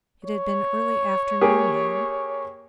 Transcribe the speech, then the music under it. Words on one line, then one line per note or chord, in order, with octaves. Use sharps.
It had been early afternoon then.
C#5
A#3 G4 G#4